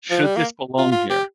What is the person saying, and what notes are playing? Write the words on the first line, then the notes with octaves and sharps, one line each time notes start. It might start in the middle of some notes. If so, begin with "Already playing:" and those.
"Should this belong here?"
F3
G3
A#3
F4
F4
G4